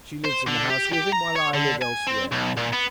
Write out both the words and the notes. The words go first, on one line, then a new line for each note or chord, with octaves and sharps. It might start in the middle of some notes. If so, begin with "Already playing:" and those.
She lives in the house with him, while I live elsewhere.
C5
D3
G4
G4
A#5
C#5
D3
G#5
C4
B1
A#2
B3